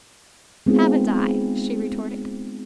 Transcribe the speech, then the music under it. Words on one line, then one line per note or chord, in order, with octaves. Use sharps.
"Haven't I!" she retorted.
G#3 B3 C4 D#4 F4 G#4